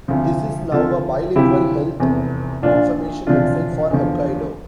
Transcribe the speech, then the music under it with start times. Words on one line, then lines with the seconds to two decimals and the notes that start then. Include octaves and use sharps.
The is now a bilingual health information website for Hokkaido.
0.08 D2 C3 F3
0.72 D2 C3 F3 F4 A4
1.36 D2 C3 F3 E4 G4
2.00 F1 E2 C3
2.63 A#1 A#2 F3 D4 F4
3.27 E1 D2 C3 F3 D4 F4
3.91 E2 D3 F3